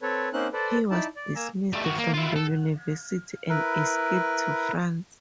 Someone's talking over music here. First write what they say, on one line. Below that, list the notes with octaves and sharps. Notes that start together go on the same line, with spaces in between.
He was dismissed from the university, and escaped to France.
C4 A4 B4 C#5
A#3 C4 C#4 D#4 C5 F#6
A4 B4 C5 D5
D#4 E4 D5 A5
D5
A#3 G#5 A#5 E6
G3 A3
D#3 F#4
A#3
E4 F4
A4
E4 A#4 B4